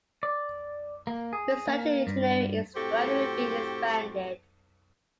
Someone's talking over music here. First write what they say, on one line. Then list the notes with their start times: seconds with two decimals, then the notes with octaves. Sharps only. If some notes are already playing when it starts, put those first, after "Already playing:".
Research in engineering is gradually being expanded.
0.23 D5
1.07 A#3
1.33 G#4
1.67 A#3
2.07 G2
2.75 A2 C4 F#4 G4 A4 C5